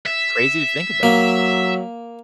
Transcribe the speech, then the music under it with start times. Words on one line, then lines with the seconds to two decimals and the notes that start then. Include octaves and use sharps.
crazy to think about.
0.06 E5
1.03 F#3 A#3